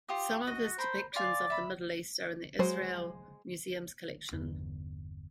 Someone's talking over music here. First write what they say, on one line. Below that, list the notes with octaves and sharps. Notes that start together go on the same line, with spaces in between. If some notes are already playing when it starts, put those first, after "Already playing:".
Some of his depictions of the Middle East are in the Israel Museum's collection.
F4 G4 D#6
F#4 D#5
A#4 C5 B5
D5 F5 G#5 C6
E5 B5
F#3 G#3 C5
G1 E2 D3 B3